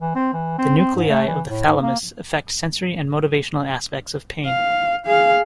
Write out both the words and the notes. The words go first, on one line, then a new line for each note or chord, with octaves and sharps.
The nuclei of the thalamus affect sensory and motivational aspects of pain.
E3
C4
E3
C4
C4
G#2
A3
E3
A2
G#2
A#3
F5
G#4 F5